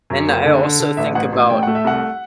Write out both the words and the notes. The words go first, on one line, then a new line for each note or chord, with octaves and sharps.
and I also think about
F#2
F#1
D3
D3
D3
A1 E5
A1 F#5
A1
A2 G5
A3 F#5
E5
C2 F#5